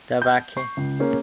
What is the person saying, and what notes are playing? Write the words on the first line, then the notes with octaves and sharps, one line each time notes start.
De Vecchi.
G6
C#6 C7
C#2
A#3 C#4 G#4